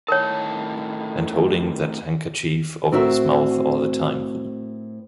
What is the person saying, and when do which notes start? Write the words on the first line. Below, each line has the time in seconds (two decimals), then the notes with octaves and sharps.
And holding that handkerchief over his mouth all the time.
0.08 A2 D#3 A#4 C#5 A5
2.92 A2 C4 E4 F#4 A#4 E5